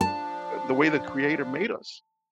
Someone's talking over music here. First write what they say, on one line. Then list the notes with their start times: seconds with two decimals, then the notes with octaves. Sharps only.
the way the creator made us,
0.01 F3 D4 A5